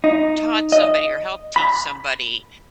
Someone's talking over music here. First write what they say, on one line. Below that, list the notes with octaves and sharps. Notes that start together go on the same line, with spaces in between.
taught somebody or helped teach somebody
D#4
D#5
B5